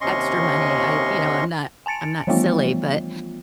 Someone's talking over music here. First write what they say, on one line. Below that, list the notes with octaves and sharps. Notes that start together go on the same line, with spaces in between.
extra money, I you know, I'm not I'm not silly, but,
D#2 C3 C#4 D#5 C6 C#6
G#5 A5 A6 C#7 D7
E3 F3 G3 A3 B3 F4